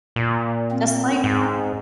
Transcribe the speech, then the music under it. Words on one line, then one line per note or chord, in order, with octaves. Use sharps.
just, like,
A#2
C4
G#2